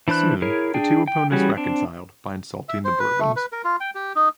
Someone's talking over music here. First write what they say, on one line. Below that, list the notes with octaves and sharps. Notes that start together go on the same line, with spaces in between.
Soon the two opponents reconciled by insulting the Bourbons.
E3 D4 C5 B5 F#6
E4 G#4 A#4 C#5
D4 G#4 G5
G5
E3 G3 C#4 F#4 G#4
C4 D4
E5
C5
B4
A3
B4
A#4
F4
G5
G4
D#4